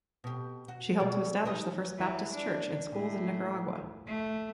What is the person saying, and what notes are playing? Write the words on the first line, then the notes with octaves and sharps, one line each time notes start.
She helped to establish the first Baptist church and schools in Nicaragua.
B2 G4
F#4
B2 G#4 D5
D#4 G4 B4
E3
D4
A2
A3